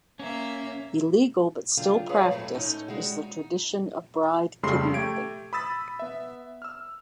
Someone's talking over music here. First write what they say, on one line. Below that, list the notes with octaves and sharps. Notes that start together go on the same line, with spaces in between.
Illegal, but still practiced, is the tradition of bride kidnapping.
A#3 C#4 E5
D3 F#3 F4 G5
G#4 B4 C#5 F5
F2 A2 C#3 F#3 A3 C4
A2 A3 C#4 D#4
G3 G#3 E4 F#4
D#4
F2 C#3 G3 A3 C6 C7
A3 G4 G#6 D7
B5 D#6 E6 A6 B6
B3 E5
E6 F6